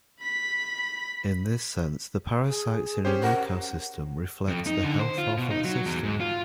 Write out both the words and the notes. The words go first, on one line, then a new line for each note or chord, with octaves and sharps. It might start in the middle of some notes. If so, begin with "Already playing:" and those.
In this sense, the parasites in an ecosystem reflect the health of that system.
B5 B6
G#4
C#4 G4 C5
A#4 F#5
F2
D#4
D3
C5
F4
B2
D#4
F#3
E2
G#2
F4